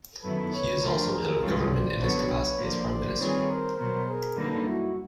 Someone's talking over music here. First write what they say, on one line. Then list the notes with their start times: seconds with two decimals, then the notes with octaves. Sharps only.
He is also head of government in his capacity as Prime Minister.
0.22 F#2 D#3 F#3 B3 E4 A4 B4
0.52 B4 C#5
0.81 D3 F3 A3 D4 F4 A#4 C5
1.12 G#4 A#4
1.40 G2 E3 G#3 C#4 F4 G4 A4
1.70 C5 D5
1.99 D3 F#3 B3 D4 F#4 B4 C#5
2.58 D3 F3 A#3 C5 D5
2.89 C5 D5
3.18 D#3 G3 C4 F4 G#4 B4 C#5
3.47 A#4 C5
3.76 B2 F#3 B3 A#4 C5
4.06 G#4 A#4
4.35 F#2 D3 G3 A#3 D#4 A4 B4
4.64 E4 F#4